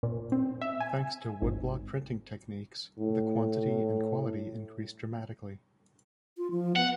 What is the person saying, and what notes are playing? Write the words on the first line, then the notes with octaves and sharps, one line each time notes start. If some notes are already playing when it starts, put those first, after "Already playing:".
Thanks to woodblock printing techniques, the quantity and quality increased dramatically.
A#2
C4
E5
G#5
G#1
A2
F4
F3
B3 F#5